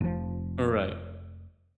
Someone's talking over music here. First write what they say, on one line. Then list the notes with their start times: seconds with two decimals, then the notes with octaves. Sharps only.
Eh right.
0.01 F1 F3